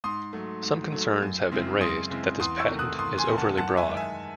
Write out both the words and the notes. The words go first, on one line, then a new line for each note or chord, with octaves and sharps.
Some concerns have been raised that this patent is overly broad.
G#2 C6 D#6
F#3 A3
G#2
F#3 A3
F#2
C#3 G#3 C4 E4
F#2 C6 D#6
C#3 G#3 C4 E4
E2 C6 D#6
C#6 E6
C3 D#3 A3
D#6 F#6
E2 C6 D#6
G#5 C6
C3 D#3 A3
F#5 A5
F#2 F#5 A5
E5 G#5
D#3 G#3 D#4
E5 G#5